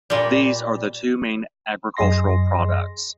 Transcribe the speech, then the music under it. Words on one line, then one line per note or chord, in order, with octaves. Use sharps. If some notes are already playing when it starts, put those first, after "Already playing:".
These are the two main agricultural products.
A#2 G3
F#2 G#4 D#5 C6 A#6